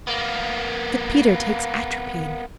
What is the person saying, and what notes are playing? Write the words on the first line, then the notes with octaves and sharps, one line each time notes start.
'That Peter takes atropine.'
A#3 B3